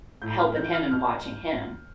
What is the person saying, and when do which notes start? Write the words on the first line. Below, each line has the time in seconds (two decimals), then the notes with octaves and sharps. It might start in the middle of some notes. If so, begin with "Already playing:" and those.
helping him and watching him.
0.22 A2 G6
0.39 F6
0.56 E3 G6
0.73 F6
0.91 B2 F6